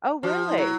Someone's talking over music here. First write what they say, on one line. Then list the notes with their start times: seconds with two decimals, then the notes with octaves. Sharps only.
Oh, really?
0.23 F3 F#4
0.35 F4
0.46 E4
0.58 F#3